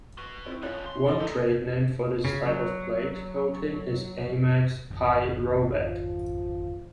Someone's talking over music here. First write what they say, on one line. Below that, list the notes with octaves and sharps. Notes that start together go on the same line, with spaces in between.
One trade name for this type of plate coating is Eimac's "pyrovac".
F#4 B4
C4 E4
A2 F3 C#4 F#6
C6
D5 D#5
A3 D#4 A4
C#3
F#3
G#1 F2 G#2
F3